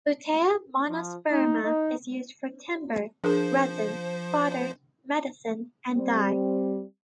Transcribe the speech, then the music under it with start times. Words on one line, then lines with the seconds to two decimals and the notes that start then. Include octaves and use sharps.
"Butea monosperma" is used for timber, resin, fodder, medicine, and dye.
0.90 F3
1.31 D#4
1.63 D#4
3.24 F3 D4 G#4 A#4 C5
5.95 G3 C4